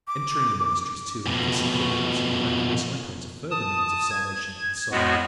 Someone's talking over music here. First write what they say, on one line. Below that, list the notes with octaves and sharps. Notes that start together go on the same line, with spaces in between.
Entering monasteries too and kissing relics and miraculous ikons, are further means of salvation for the soul.
D6
F2 B2
A5 D#6
G#6
F2 A2 G#3 B3 F#4